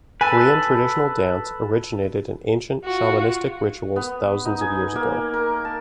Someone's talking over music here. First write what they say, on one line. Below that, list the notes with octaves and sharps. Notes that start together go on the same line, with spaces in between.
Korean traditional dance originated in ancient shamanistic rituals thousands of years ago.
A4 B4 G#5
F4 F#4
B3
D#4
G#5
A#3
A#4
A5